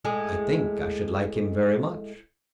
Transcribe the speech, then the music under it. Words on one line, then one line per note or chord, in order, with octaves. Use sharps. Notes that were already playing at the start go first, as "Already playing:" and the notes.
"I think I should like him very much."
A2 G#3 G#4